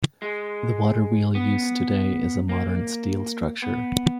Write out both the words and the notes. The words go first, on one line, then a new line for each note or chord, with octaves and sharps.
The waterwheel used today is a modern steel structure.
G#3
B3
A#3
B3